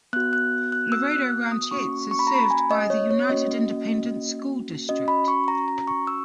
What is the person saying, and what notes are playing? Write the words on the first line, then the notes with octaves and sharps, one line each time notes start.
Laredo Ranchettes is served by the United Independent School District.
B3 F#4 F#6
F#6
F#6
E6
F#6
D#6
A#3 C#4 F#4 C#6
C#6
B5
A#5
B5
G#5
D#5
C#5
C#5
A#3 C#4 F#4 D#5
C#4 F#4 D#5
B5
C#6
A#5
A#5
C#6
E6